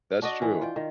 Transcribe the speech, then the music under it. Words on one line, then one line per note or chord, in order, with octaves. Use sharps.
That's true.
D4 F#4 D5 D#5
E3
F4 G5
D#3